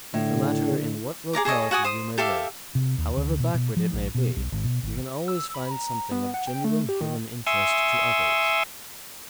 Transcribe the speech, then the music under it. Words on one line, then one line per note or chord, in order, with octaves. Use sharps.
No matter in what locality you may live, however backward it may be, you can always find something of genuine human interest to others.
A2 D3
G#4 D5 A#5 D6
G#4 A4 C#5 D#5
F#4 F#5 G#5 D#6
C5 D#6
G4 A4 E5 F5
C3
D#2
D2
B2
B2
F3
A#1
B2
B1
G#1
B2
G#1
E6
B5
A#5
B3
F#5
G5
A3
G4
D#3
E5 G#5 C6 C#6 D#6 E6